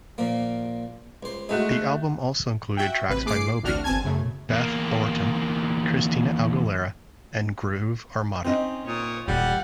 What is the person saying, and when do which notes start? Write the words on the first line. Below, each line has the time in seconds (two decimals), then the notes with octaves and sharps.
The album also included tracks by Moby, Beth Orton, Christina Aguilera, and Groove Armada.
0.18 A#2 F3 A#3
1.23 C#2 C5
1.49 G#3 A3 D#4 F#4
2.77 F#4 E5 G5
3.09 A1 C3 B4
3.25 A2 G#4 D6 C7 D7
3.63 A1 D2 C3 D4 F#4 F6
3.84 G1 E2 C4 G#5 A5 G#6
4.04 F#2 C#3 A3
4.50 E2 A#3
8.44 C4 C#4 D#4
8.86 A#2 C#5 D#6
9.28 D#1 E2 G3 F#5